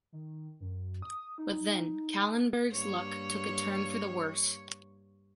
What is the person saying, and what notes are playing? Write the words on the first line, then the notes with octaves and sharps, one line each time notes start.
But then Callenberg’s luck took a turn for the worse.
D#3
F#2
D#6
D#4
G2 A#3 C#5